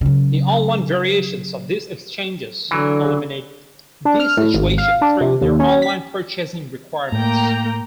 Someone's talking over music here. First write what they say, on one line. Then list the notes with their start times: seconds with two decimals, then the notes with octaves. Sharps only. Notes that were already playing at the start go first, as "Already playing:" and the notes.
The online variations of these exchanges eliminate this situation through their online purchasing requirements.
0.01 C#3 F#3
2.71 D3 E3 F#3
4.05 D4
4.19 F6
4.37 A2
4.54 G#1
4.78 F5
5.02 D4
5.21 C3
5.41 D#2
5.60 C#4
5.82 B6
7.12 A2 A#3 G5 A#5